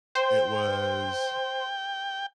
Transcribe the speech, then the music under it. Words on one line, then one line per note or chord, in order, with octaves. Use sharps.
It was
C5 G5